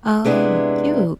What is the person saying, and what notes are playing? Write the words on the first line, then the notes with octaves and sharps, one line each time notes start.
Oh, cute.
C3 G#3 B3 D4 E4